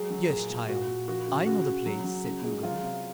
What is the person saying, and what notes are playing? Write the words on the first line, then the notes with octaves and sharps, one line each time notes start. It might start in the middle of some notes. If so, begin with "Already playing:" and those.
"Yes, child, I know the place," said Ugo.
Already playing: F#3 G#3 G#4
F#3
A#2 G#4
A#2
A#2 F#4
A#2
F3 F#4
C#3
C#3 F#4
C#3
F#3
F#3
C#3
G#3
F#3 F4
C3